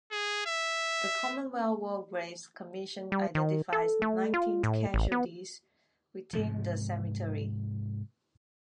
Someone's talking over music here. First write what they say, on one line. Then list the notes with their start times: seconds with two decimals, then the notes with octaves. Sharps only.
The Commonwealth War Graves Commission identifies nineteen casualties within the cemetery.
0.11 G#4
0.46 E5
3.12 G3
3.35 D#3
3.73 A4
4.02 A3
4.34 F4
4.63 A2
4.94 A1
5.12 B3
6.33 G#2 C3 F3